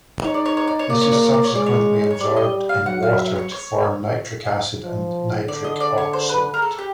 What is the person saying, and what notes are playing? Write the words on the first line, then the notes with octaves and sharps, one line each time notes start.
This is subsequently absorbed in water to form nitric acid and nitric oxide.
D#4 C#5
D5
C#5
C#5
D5
C#5
A#3 D5
C#5
D5
C#5
D5
C#5
G#3 D5
C#5
C#5
G3 D5
D#5
F5
F#3 F#5
F5
E5
C#5
C#5
F3
D3 D5
D#5
D5
C#5
C5
B4
A#4
A4
G4